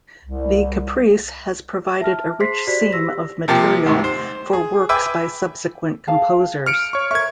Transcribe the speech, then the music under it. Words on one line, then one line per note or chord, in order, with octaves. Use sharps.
The caprice has provided a rich seam of material for works by subsequent composers.
C2
E5 A5 F6
G#4 C5 C6 B6 C7
F#4 G4 C5 D5 B6
G4 E6 A#6
C3 F3 A#3 G4
D2 G#2 C3 D#3
C5
G#4
B4 E5 G5 G#5 D6 E6
G#4 F5 A5
F6 C#7 D7
C#5 C#6
A#4 C5 E5 C#6 G#6